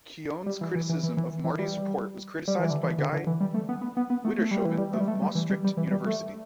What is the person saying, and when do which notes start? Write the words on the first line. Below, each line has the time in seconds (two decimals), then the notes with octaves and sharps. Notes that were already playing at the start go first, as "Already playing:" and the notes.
Keown's criticism of Marty's report was criticised by Guy Widdershoven of Maastricht University.
0.46 G3
0.61 E3
0.75 E3
0.89 E3
1.03 E3
1.17 E3
1.44 E3
1.59 G3
2.48 G3
2.59 E3
2.71 D3
2.84 E3
2.98 D3
3.13 D3
3.27 E3
3.41 G3
3.54 A3
3.69 B3
3.82 B3
3.97 B3
4.10 B3
4.25 A3
4.39 A3
4.51 G3
4.65 E3
4.78 G3
4.94 A3
5.00 G3
5.08 A3
5.22 G3
5.35 E3
5.50 G3
5.64 G3
5.77 E3
5.91 G3
6.06 A3